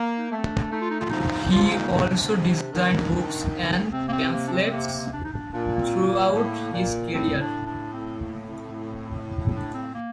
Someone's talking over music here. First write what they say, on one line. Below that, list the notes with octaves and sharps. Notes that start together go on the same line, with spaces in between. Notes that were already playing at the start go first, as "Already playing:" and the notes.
He also designed books and pamphlets throughout his career.
Already playing: A#3
D#4
A3 A#3
C4
D4
A3 D#4
F4
D#4
F4
F3 D#4
D#4
F3 F4
F4
D#4
A#2
D#4
C3
D4
C3 D4
D#3
D#3
C3 C4
A#3
C4
A#3
D4
C4
C4
A#3
A#3
D4
D#4
D4
A#2 D4
A#3
C4
A#3
A2
A#2
A2 C4
D4
D4
C4
A#3
C4
D4
C4
A#3